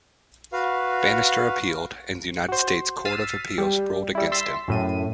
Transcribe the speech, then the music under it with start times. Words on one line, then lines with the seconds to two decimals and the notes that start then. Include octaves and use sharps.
Banister appealed, and the United States Court of Appeals ruled against him.
0.53 F#4 B4 F5
2.49 F#4 C5
3.05 E6 F6 A6 B6 C7 D#7
3.58 G3
4.15 G3 E4
4.32 C6 E6 A6 B6
4.68 F#2 A2 D#7